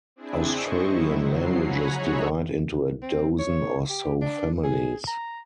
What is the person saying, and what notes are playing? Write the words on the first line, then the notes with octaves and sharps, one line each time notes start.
Australian languages divide into a dozen or so families.
C4 D4 E4 G#4
C5 D#5 C#6
D#3 F#3 E4
F3 F#3 C7
C#5 F#5 G#5 A#5 B5
D#4 F#4 G#4 C#5 E5
C4
C#5
G4
D4
G#4
A#5